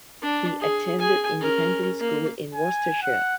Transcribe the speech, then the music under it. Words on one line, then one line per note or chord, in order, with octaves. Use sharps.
He attended independent school in Worcestershire.
D4
G#4
G#4 G#5
C#4 A#4
A#3
G#5
F#5